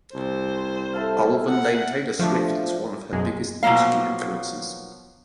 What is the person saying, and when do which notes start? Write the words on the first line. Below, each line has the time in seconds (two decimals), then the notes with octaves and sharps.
Ulven named Taylor Swift as one of her biggest musical influences.
0.14 C2 C5
0.93 E4 A4 F5
1.48 F#5
2.19 F3 A3 D4
3.13 B1 F#2 G#3
3.63 B2 F3 F#3 A#3 F5